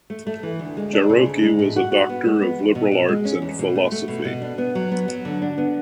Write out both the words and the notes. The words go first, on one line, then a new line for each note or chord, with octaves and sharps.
Jarocki was a Doctor of Liberal Arts and Philosophy.
A3
A3
E3
D2
G#3
D4
C#3
D2
G#3
A2
F#4
F#4
B3
G#3
B3
E2
B2
B2
G#3
C#4
E2
B2
A3
A3
B2
B2
D4
B3
F#3
B3
F#3
D3
D4
B3